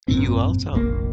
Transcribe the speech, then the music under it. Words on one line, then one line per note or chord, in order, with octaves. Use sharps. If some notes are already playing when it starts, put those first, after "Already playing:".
You also.
G#1 F#2 A#2 C4
F1 A#1 B2 A#3